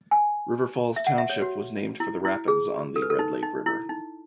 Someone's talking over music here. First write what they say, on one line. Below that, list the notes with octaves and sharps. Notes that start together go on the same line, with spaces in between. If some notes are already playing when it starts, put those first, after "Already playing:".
River Falls Township was named for the rapids on the Red Lake River.
G#5
E5
F#5
E5
C#5
F#4
E4
E4
G#4
A4
B4
A4
D#4
D#4
E4
D#4